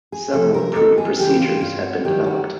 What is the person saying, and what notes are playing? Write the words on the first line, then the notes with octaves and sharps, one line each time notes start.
Several improved procedures have been developed.
G#4
C3 F3 A4
A#4
D#2 A4
G#4
C#3 E3 G4
F4
G2 F4
F#4
D#3 G3 G4
F#4